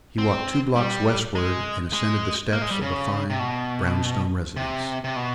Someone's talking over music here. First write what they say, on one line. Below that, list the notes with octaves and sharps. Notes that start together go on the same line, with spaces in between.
He walked two blocks westward and ascended the steps of a fine brown-stone residence.
C4
G3
G#3
G#3
A#3
G#3
G3
C#3
C3
B2
C3
C3
B2